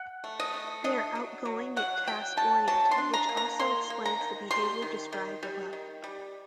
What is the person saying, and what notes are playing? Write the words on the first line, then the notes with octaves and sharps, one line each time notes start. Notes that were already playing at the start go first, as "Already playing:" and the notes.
They are outgoing, yet task-oriented, which also explains the behavior described above.
Already playing: F#5
A3
D#5
A3
D4 D#5
F#3
F#3
F#3 F#5
F#3 G5
F#3 A5
F#3 A5
C6
D4
A#5
A#3
A#5
A#3 C6
A#3
A#5
D#3
G3 C6
D#3
D#3
G3
D#3
G3